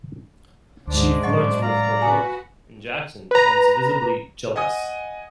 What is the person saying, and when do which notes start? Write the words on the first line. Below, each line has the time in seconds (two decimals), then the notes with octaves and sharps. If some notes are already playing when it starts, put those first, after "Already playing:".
She flirts with Farooq and Jackson becomes visibly jealous.
0.87 D2 G#2 D4 C5 D5
1.23 A2 F#3 C#4 D#5 F#5 C#6
1.61 D5 F5 A#5
2.02 F#4 B4 G#5 D#6
3.31 B4 A#5
4.56 D#5 F#5 G#5 D#6